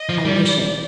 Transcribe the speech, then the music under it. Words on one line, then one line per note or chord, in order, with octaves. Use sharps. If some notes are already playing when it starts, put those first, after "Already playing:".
"I wish it."
Already playing: D#5
F3
G3 D5